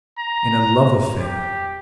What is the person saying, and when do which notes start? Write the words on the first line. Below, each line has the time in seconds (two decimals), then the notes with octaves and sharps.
In a love-affair.
0.19 A#5
1.20 G4